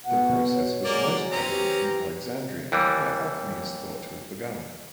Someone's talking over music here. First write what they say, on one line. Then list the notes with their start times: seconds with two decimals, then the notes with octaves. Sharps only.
The process was most prevalent in Alexandria, where alchemy is thought to have begun.
0.05 B2 F#5
0.55 C#5
0.85 F#3 G#3 A#3 D5
1.32 E3 C4 C#4 A#5
1.49 G4
2.72 D#2 E3 G3